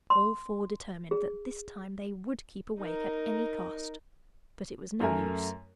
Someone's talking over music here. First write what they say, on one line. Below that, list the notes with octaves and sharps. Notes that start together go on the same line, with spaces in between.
All four determined that this time they would keep awake at any cost. But it was no use.
C6
G#4
D#4 A#4
F#2 A3 A#4 E5 G#5